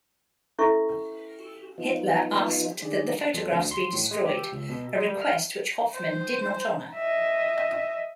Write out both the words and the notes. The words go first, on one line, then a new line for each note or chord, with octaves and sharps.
Hitler asked that the photographs be destroyed, a request which Hoffmann did not honor.
C#4 E4 A4 E5 C#6
F3 B3 D#4 F4
D3 D#3 G#4 D5
F2
D2
C6
A2
G#3
G4
C#2
B2
G#3
G3
F6
C5
D#5 E5